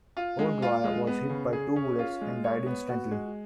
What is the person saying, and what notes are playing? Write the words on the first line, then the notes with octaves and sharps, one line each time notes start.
O'Dwyer was hit by two bullets and died instantly.
F4
G#3
F4
G#3
B3
C#3
G#4
C#4
F4
G#3
C#5
B3
F#4
G#3